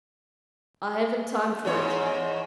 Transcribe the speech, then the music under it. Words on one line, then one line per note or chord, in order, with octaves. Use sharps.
I haven't time for it.
E2 G#2 C#5